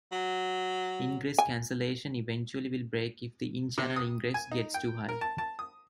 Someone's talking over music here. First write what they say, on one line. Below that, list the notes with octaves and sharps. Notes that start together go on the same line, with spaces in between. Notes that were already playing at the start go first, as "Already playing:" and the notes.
Ingress cancellation eventually will break if the in-channel ingress gets too high.
F#3
G#5
C3
D#6
G#5
D#4
G5
A#4
A5
A5
D#6